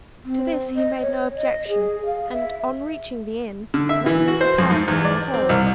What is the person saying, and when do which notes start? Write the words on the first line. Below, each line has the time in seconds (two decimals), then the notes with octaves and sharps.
To this he made no objection, and, on reaching the inn, met Mr. Palliser in the hall.
0.25 C4
0.76 D#5
1.01 C#5
1.36 D#5
1.68 G#4
2.06 F5
2.32 E5
3.74 D3
3.89 E5
4.06 E3
4.28 F#4
4.41 C5
4.58 F2
4.71 G#2
4.88 E2
5.05 D5
5.34 C4
5.49 C2